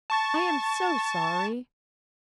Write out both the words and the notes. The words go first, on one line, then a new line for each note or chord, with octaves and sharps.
"I am so sorry!"
A5 C#6 A6